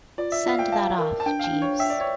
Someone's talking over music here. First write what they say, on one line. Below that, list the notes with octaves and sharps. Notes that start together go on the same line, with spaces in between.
Send that off, Jeeves.
F4 D5
E5
F4 F5
G5
F5 A5
A#4
A5
D4 G5
F5
G5
D4
C#5
E5 G5
D5
C#5